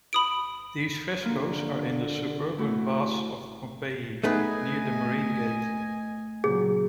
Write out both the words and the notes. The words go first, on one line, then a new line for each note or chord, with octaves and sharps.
These frescoes are in the "Suburban Baths" of Pompeii, near the Marine Gate.
B5 D#6 D7
D3 A#3 F4
A3 E4 F#4
A3 B3 D#4 G#4 B4 D#5 G#5
A#2 C#3 F#3 G#4